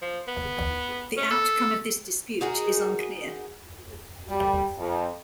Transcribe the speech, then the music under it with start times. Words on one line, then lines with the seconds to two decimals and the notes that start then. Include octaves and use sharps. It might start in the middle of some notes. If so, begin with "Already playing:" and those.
The outcome of this dispute is unclear.
0.02 F3
0.28 B3
1.17 C#4
1.31 A4
2.41 D#4 F#4 G#4 A#4
4.29 G3
4.77 F2